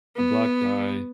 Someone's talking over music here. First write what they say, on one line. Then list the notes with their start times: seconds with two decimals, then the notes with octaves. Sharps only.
a black guy
0.16 B3